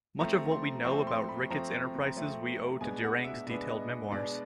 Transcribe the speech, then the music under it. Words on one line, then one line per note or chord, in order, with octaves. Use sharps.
Much of what we know about Ricketts's enterprises we owe to Durang's detailed memoirs.
F3 A3 C4 A#5
C6
F3 A3 C4 C#6
C6
B5
F3 A3 C4 A#5
F3 A3 C4
B2 G#3 B3 D4 G#5
F#5
E5
B2 G#3 B3 D4 E5
D#5
B2 G#3 B3 D4 D5